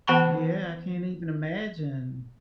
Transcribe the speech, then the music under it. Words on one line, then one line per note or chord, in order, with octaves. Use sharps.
Yeah, I can't even imagine.
E3 B3 F#5 A5 B5 C#6